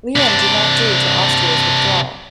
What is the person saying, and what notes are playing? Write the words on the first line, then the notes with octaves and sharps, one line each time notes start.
Lyon did not due to Austria's withdrawal.
C3 D4